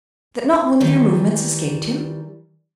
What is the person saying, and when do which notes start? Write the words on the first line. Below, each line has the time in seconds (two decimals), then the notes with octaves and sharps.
"That not one of your movements escaped him?"
0.80 D#3 E3 G3